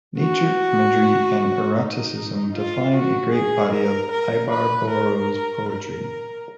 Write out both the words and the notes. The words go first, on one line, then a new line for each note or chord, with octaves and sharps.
Nature imagery and eroticism define a great body of Ibarbourou's poetry.
F#4
D#4
F4
F#4
G#4
A#4
A#4
B4
A#4
A#4